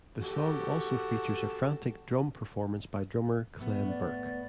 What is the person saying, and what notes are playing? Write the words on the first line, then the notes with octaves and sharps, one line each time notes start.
The song also features a frantic drum performance by drummer Clem Burke.
F#4 G4 A4
A2 B3
D5